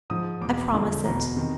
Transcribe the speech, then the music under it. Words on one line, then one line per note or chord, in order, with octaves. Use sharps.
"I promise it."
G#2 F3 D#6
E2 B2 D6
F2 D3 F3
E2 B2 A#5
C3 D#3